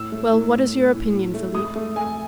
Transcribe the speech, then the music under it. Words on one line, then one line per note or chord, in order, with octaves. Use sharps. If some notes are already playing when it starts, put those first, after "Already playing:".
"Well, what is your opinion, Philip?"
Already playing: A2 E6
A3
A2
A2
A2
A2
A2
A3
A3 D#6
A3
A3 G#5